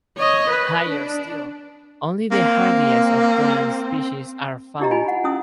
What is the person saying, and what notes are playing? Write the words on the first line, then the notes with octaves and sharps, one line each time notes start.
Higher still, only the hardiest of plant species are found.
C#5 D#5
B4
D4
A#3 C4
D4 E4 G4 D#5 A#5
D#4 F4 G#5 B5
F#5
C#4 E4 D#6